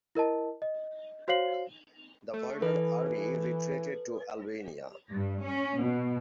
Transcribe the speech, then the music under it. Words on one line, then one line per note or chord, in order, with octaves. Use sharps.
The Vardar Army retreated to Albania.
E4 A#4 D#5 A5
D#5
F#4 C5 C#5 F5 C7 F#7
A3
E3 A4 B4
G2
C#4
B2